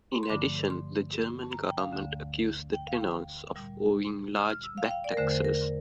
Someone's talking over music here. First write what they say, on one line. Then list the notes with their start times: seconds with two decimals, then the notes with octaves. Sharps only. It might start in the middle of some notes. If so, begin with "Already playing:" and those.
In addition, the German government accused the tenors of owing large back-taxes.
0.23 C6
0.29 G2 D3 F3 A3 D6
0.70 C6
1.41 A5
1.52 A#5
1.65 G5
1.78 F5
1.92 D2 D3 A3
2.73 G5
2.87 F5
3.01 G5
3.55 A#2 G3
4.36 F6
4.50 F6
4.64 E6
4.78 F5
4.86 G5
4.91 F5
5.04 D5
5.12 A#4
5.17 E2 D3 A3 C5
5.31 C5
5.45 A#4